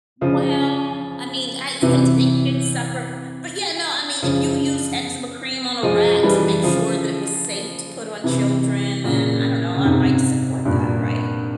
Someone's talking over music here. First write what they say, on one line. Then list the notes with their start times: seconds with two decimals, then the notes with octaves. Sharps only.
Well, I mean, I You hate to think kids suffer. But yeah, no, I mean, if you use eczema cream on a rat to make sure that it was safe to put on children, then I don't know, I might support that, right?
0.21 C#3 F3
1.82 C3 E3
4.22 C#3 F3
5.83 F3 G#3
6.23 E3 G3
6.63 C#3 F3
8.24 C3 E3
9.04 A#2 C#3
9.74 C#3
9.85 G#2 C3
10.65 G2 A#2